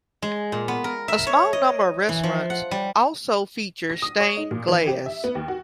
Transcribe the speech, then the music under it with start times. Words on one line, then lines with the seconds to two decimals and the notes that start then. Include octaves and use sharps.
A small number of restaurants also feature stained glass.
0.22 G#3
0.52 A#2
0.68 B3
0.84 A#4
1.08 E5
1.27 C#5
1.53 D#5
2.09 E3
2.23 F3
2.50 F#5
2.71 G3
3.90 A#6
4.02 D#6
4.20 C#5
4.37 D#4
4.51 A#2
4.68 E3
4.87 G4
5.06 E5
5.24 B3
5.35 D#2
5.48 F#4